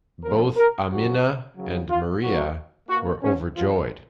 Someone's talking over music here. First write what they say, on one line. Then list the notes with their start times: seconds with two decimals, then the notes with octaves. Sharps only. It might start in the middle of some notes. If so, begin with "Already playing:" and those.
Both Aminah and Maria were overjoyed.
0.24 F#2 C#3 F3 B3 A#4
0.57 A#4
0.90 F2 C#3 F#3 A#3 F#4
1.56 D#2 C#3 F#3
1.90 F4
2.23 G#2 D#3 F#3 A#3 F#4
2.89 B2 A#3 F#4
3.22 C#4
3.55 F#2 F3 G#3 B3 F4